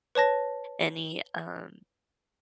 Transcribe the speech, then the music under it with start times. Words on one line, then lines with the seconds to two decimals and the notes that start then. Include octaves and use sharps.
any, um,
0.15 B4 C#5 A5 A#6